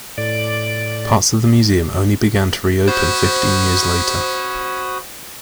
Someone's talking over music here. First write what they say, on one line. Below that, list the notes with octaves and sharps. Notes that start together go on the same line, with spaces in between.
Parts of the museum only began to reopen fifteen years later.
A2 D5
C#4 F#4 C5 B5 D#6